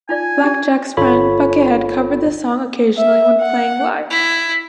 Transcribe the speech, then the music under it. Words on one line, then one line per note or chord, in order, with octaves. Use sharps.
Jack Black's friend Buckethead covered the song occasionally when playing live.
D#4 F4 D5 G#5
C#4 G4
G1 F4 A4 C#5 B5
E5
F#5
E4